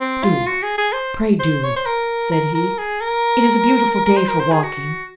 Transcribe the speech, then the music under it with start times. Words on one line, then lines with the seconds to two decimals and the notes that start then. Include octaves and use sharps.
"Do, pray do," said he; "it is a beautiful day for walking."
0.01 C4
0.24 F4
0.47 F#4
0.63 G#4
0.78 G#4
0.93 C5
1.40 C5
1.63 C#5
1.76 C5
1.86 A#4
2.32 A#4
2.55 A#4
2.78 G#4
3.01 A#4
4.06 A#4
4.17 C5
4.28 A#4
4.40 C5
4.52 G#4
4.64 F#4